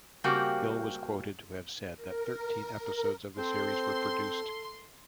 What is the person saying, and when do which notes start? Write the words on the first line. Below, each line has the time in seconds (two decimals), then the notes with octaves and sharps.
Hill was quoted to have said that thirteen episodes of the series were produced.
0.24 C#3 G3 A#3 C4 F#4 G4
1.96 A#4
3.37 C4 A4 C5 C6